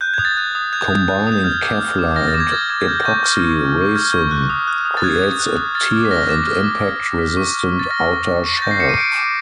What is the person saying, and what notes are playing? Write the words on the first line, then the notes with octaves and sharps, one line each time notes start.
Combining kevlar and epoxy resin creates a tear and impact resistant outer shell.
F#6 G6
G#6
D#6
A6
F#6 A6
D#6
F#6 G#6
D#6
F#6
D#6
G6
F6 G#6
D6
F6
D6
F6 A#6
A6
D6
G#6
F6 A6
D6 G#6
G#6
F6 G6
C#6 G6
F6
C#6
F6
C#6
F6 G#6
C#6
F#6
D#6
F#6
D#6
A6
F#6 G#6
D#6
F#6
D#6
F6 A6
D6
B6
F6 A#6
D6 A6
F6
D6
F6
D6
F6 B6
C#6
F6
C#6
A6
F6 A#6
C#6
F6
C#6
A6
G6 A#6
C7
D6 C#7
D#7
G6 D7
D6